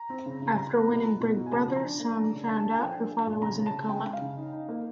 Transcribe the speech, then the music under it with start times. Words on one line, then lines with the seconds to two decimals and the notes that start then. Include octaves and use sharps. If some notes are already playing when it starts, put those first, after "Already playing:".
After winning Big Brother, Song found out her father was in a coma.
Already playing: A#5
0.10 C4
0.26 C#3
0.42 C#3
0.57 G3 A#5
0.73 B3
0.89 B2
1.05 B2
1.20 B2
1.37 B2
1.46 G#5
1.52 C#3 A5
1.68 F3
1.76 A#5
1.84 D4
2.00 A#3
2.16 D4
2.31 C#3
2.47 D4 A5
2.59 A3 A5
2.71 G#5
2.79 F3 G5
2.95 D4
3.11 A3
3.19 A5
3.26 A#2
3.42 C#3 A#5
3.58 C#3
3.66 A5
3.74 C#3
3.89 G#3 G5
4.05 C#3
4.13 F5
4.21 C#3
4.37 D#4
4.53 D#4
4.69 A#3